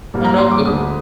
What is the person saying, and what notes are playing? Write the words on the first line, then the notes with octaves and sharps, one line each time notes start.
Oh no, go
G#2 G3 A#3
A#5
C6
D6
D2 D3 G#3 D#6